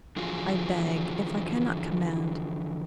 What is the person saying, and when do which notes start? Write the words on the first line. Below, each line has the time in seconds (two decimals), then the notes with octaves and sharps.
I beg--if I cannot command.
0.17 D3 E3 F3 F4 F#4 G#4